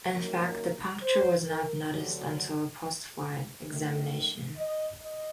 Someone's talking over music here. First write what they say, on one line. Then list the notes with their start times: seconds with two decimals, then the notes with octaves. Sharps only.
In fact, the puncture was not noticed until postflight examination.
0.12 F#2 D#3 F#3 A#3 A#4
1.01 C5
1.46 A#4
1.89 D2 D3 F#3 G4
3.67 F#2 D#3 A3
4.56 D#5
5.01 D#5